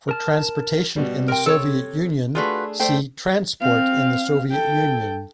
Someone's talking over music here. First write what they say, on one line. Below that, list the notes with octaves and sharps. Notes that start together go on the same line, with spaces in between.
For transportation in the Soviet Union, see Transport in the Soviet Union.
A#4 A5 F6
B2 G3
C3 A#4 G5
A4 C#5
A3 D4 F4 F#4 G#4 B4
A3 C5 D5 G5
C4 F5
A4 G5